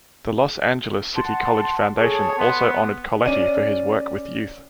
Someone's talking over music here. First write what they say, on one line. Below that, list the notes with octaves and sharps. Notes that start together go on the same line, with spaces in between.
The Los Angeles City College Foundation also honored Colletti for his work with youth.
F#5 A5 C6
G#4 A4 C#5 A5
B3 C6
C#4 D5 D#7